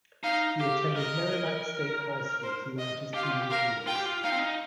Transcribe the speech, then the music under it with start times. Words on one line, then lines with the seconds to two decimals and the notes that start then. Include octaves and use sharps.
He attended Merrimac State High School throughout his teenage years.
0.23 D#4 F5
0.59 G4 F5
0.96 A#4 D#5
2.42 C5
2.78 D#5
3.14 G4 F5
3.23 F4
3.32 G4
3.43 G4
3.50 A#4 F5
3.87 F4 G5
3.96 G4
4.05 F4
4.23 D#4 F5
4.32 C4
4.39 D#4